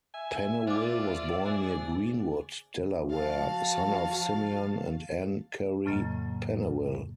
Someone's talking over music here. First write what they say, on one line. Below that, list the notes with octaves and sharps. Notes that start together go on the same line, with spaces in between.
Pennewill was born near Greenwood, Delaware, son of Simeon and Ann Curry Pennewill.
E5 G#5
F4 C5 D5 D6
G#4 C5
F3 F#4 F5 A5 A6
F2 A2 C#3 F#3 A#3 D#5